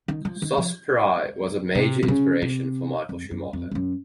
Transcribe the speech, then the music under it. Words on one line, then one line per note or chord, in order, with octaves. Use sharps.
Sospiri was a major inspiration for Michael Schumacher.
D#3
F3
D#3
F3
C3
C3
C#3
C3
F2
F#2
F2
F2
F#2